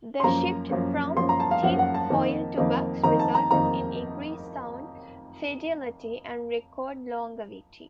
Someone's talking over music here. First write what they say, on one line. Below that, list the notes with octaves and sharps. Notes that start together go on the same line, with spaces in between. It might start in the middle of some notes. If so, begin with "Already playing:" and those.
The shift from tinfoil to wax resulted in increased sound fidelity and record longevity.
C6
F#2 F3 A#3 C#4 A#5
F#2 F3 A#3 C#4
F#2 F3 A#3 C#4 C6
A#5
A5
F5
F#2 F3 A#3 C#4 F#5
F#5
A5
F2 D#3 A#3 D#4
F2 D#3 A#3 D#4
F2 D#3 A#3 D#4 A#5
A5
A#5
F2 D#3 A#3 D#4 A#5